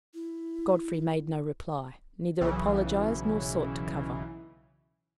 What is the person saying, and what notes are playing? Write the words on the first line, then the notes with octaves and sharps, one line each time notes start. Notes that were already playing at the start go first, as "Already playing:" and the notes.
Godfrey made no reply--neither apologized nor sought to cover.
E4
B1 C#3 E3